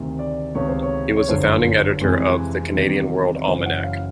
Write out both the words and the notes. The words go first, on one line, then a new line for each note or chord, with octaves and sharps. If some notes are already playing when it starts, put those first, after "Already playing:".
He was the founding editor of the "Canadian World Almanac".
Already playing: D2 C3 D#3
D5
C#2 C3 D#3 G#3 B3 C#5
C5
C#5
C#5
G1 F#2 D3 F3 G#3 C5
F2 C3 E3 G#3
E2 C3 D#3 G3
F#1 F#2 C#3 E3 C5
F#5
F5